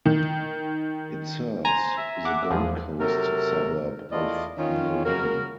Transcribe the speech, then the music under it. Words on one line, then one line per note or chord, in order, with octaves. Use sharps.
It serves the Gold Coast suburb of Nerang.
D#3
C5 G#5 A#5
E5
F#5 D6
E2 F3 G#4
C3 F#3 A4 A#4
E2 A3 E4 F4 D5 D#5
D#3 C#4 F4
C#3 A#3 F#4 A#4